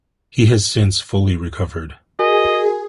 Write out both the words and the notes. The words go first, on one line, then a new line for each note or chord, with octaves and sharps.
He has since fully recovered.
F#4 G#4 A#4 D#5 G#5